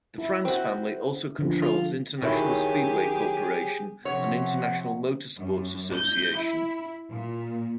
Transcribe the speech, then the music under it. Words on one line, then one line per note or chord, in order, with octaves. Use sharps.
The France family also controls International Speedway Corporation and International Motor Sports Association.
E4
C4 F#4
D3 F3
F4
D#3 F#3 E4 G4 G#4
C3 F3 C#5 F#5
F#2
G6
E4
A#2